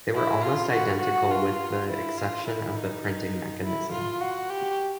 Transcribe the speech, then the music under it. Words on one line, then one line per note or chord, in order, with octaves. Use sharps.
They were almost identical, with the exception of the printing mechanism.
E4
F4
F#4
F#4
F4
E4
F4
E4
D#4
E4
F4
F#4
G4